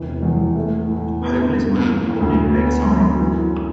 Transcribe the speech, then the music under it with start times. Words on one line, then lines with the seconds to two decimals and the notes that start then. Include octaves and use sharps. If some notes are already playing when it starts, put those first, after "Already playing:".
Homeless man holding a sign.
Already playing: E1 C3 E3
0.23 E2
0.56 A3
0.88 A2
1.22 B3
1.54 G2
1.88 E3
2.21 D2
2.53 B3
2.86 F#2
3.20 E3